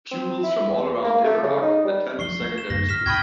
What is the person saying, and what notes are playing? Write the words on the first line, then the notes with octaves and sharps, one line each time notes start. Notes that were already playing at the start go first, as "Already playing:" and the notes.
Pupils from all around Iveragh attend the secondary school.
C4
E4
E2
A#3
A3
C#3
D#4
G3
F3 D4 C#6 C7 G7
A3
E7
F#2 D3 A#3 A#6
G#2 F6 B6 E7
E2 G#2 C3 G5 B5 C#6 D#6 G#6